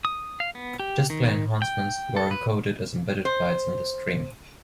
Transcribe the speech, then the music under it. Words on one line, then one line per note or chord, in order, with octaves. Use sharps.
Display enhancements were encoded as embedded bytes in the stream.
D#6
F5
B3
G4
D#3
G5
A4
B4
C5